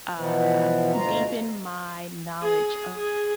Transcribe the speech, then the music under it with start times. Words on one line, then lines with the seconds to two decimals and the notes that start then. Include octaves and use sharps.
uh, deepen my knowledge of
0.15 B2 E3 F3 B3
0.93 D2 B2 F4 A#5
2.42 G#4
2.97 G#4